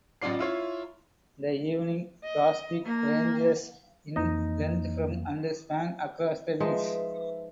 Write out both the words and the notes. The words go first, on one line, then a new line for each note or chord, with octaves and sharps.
The evening grosbeak ranges in length from and spans across the wings.
A1 F#3 F4 D5 C7
E4 F4 C#5
D#5
A#3
F2 E3 A#3 D#4 D#5
F3 G#3 D#4 B4 E5